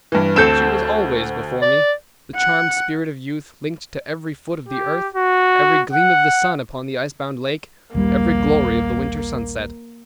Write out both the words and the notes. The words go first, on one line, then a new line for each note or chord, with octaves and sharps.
She was always before me,—the charmed spirit of youth, linked to every foot of the earth, every gleam of the sun upon the ice-bound lake, every glory of the winter sunset.
G2 E3
D2 C4 A4 G6 E7
D5
F#5
G4
F#4
F#5
A#1 D#2 G3 A#3